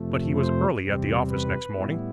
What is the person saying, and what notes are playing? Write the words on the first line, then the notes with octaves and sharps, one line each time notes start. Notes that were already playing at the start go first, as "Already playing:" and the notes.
But he was early at the office next morning.
Already playing: F2 C3 F3 A3
C5
E2 C3 G3 C4
B4
A2 G3 B3 E4